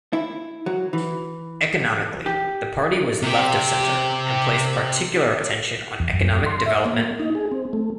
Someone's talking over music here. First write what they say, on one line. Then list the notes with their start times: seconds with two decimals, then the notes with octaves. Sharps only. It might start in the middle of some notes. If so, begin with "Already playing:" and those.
Economically, the party was left of centre, and placed particular attention on economic development.
0.13 E4
0.66 F#3
0.93 E3
2.26 G4
3.22 C3 G4
6.00 E2
6.13 F#2
6.46 C6
6.66 E5
6.85 A#3
7.19 D#4
7.35 G#4
7.52 C4
7.73 A3